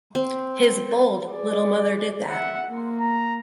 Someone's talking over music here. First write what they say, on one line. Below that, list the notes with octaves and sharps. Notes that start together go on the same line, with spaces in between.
His bold little mother did that.
C4
G#4 D5
E5 F#5
A#3
A#5